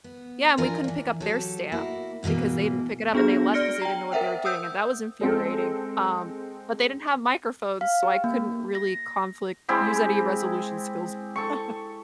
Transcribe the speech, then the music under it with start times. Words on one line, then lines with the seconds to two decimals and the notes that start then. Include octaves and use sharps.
yeah, and we couldn't pick up their stamp, because they didn't pick it up, and they left 'cause they didn't know what they were doing, and that was infuriating, um, but they didn't have microphones, so I couldn't really conflict use any resolution skills with the
0.04 B3
0.57 E3 F3 D4 F4 A#4 G#5
0.84 E3 D4
1.20 F#3 G4 A4
1.72 A#3 E4 F#4
2.23 G#2 B2 D#3 E3 A#3
3.14 B3 D4 F#4 G#4 A#6
3.54 D5 F6 A#6 C#7 D7 G7
3.82 G5 A#5
4.12 A#4 C5 E5 F#5 G5
4.45 D#6 E6 G6
5.21 G#3 C4 A4
7.81 F5
8.03 G4
8.24 A#3
8.75 A#6
9.69 G#3 C4 E4 G4
11.36 A4 C#6